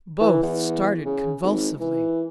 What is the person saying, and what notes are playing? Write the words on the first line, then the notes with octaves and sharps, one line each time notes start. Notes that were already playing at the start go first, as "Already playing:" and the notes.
Both started convulsively.
E3
E2
C#3
G#1
E3